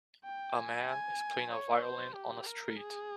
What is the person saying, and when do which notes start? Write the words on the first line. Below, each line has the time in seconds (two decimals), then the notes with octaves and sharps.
A man is playing a violin on a street.
0.25 G5
0.57 G#5
0.88 G#5
1.52 C#5
1.83 C5
2.15 G4
2.46 A#4
2.79 G#4